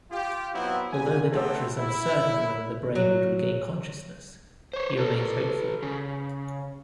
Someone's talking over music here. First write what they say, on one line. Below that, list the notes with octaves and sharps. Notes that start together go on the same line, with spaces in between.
Although the doctor is uncertain whether the brain would regain consciousness, he remains hopeful.
F4 G4
F#3 B3 C4 E4
A#2 F#3 G#5
A3 B3 C4 A4
E4
F#3
C5 C#5
A4 B4
C#3